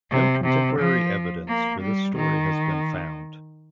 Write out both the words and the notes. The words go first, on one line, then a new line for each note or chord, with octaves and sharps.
No contemporary evidence for this story has been found.
C3
C3
F3
A#3
G3
D#3